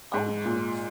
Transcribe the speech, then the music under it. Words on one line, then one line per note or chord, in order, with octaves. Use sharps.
oh, nice.
G#2
A#2